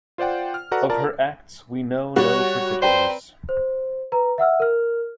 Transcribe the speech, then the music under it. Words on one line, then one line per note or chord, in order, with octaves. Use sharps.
Of her acts we know no particulars.
F4 C5 D5 F#5 G5
F6
F#4 A4 B4 D5 F#5 A#5
F4 A#4 D5 A5 A#5
G3 F#4 C#5
C4 B4 C5 D5 G5 A#5
C5
B4 A#5
E5 F#5 E6 F6
A#4 F6